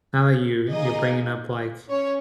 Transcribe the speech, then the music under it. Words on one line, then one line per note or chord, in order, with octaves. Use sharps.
Now that you you're bringing up, like
A#3 D#4 G#4 D#5
C#4 C#5